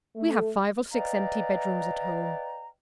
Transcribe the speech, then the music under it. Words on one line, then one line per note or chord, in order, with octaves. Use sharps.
We have five or six empty bed-rooms at home.'
A3
B4 D5 D#5 F5 G5 A#5